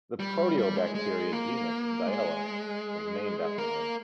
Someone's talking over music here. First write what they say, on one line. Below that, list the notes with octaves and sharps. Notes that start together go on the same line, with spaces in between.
The proteobacteria genus "Dyella" was named after him.
G3
G3
G#3
G#3
A#3
G#3
A#3